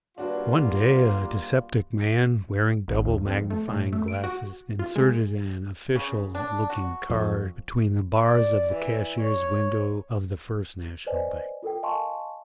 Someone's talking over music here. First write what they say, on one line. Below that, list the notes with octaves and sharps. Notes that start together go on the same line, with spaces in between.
One day a dyspeptic man, wearing double-magnifying glasses, inserted an official-looking card between the bars of the cashier's window of the First National Bank.
G3 A#3 D4 F4 F#4 B4
G#1
D#2
F2
A3
A2
A3
D7
F#4
F4
G#3
C#3
D4
F#4
F2
D5
E3
C#5
B4 C5 D5 D#5 G#5
F4 A4 A#4 G5
D#5 F5 G#5 A5 C6 C#6